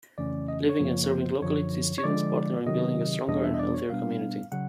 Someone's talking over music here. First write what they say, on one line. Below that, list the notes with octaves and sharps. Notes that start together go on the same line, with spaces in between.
Living and serving locally, these students partner in building a stronger and healthier community.
F2 C#3 E3 A3 C#4 D5
D#5
C#5
F#2 C#3 F3 A#3
C#5
C5
F#2 D3 F3 C#5
C#5
D3 F3 G#3 D5
C3 D#3 F#3 D#5
E2 B2 G3 B3 D4 D#5
E5
D#5
D5
C#5
B2 G3 B3 D4 F5
C#3 F#3 F#5